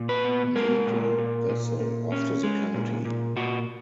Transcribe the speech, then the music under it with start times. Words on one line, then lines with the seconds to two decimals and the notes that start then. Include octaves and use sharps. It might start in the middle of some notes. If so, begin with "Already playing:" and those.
Naval vessel after the county.
Already playing: A#2
0.09 B4
0.25 B3
0.55 G#3 A#4
0.87 A#2
1.18 A#2
1.49 A#2
1.80 A#2
2.12 C#4
2.43 G#3
2.74 A#2
3.05 A#2
3.36 A#2 F#4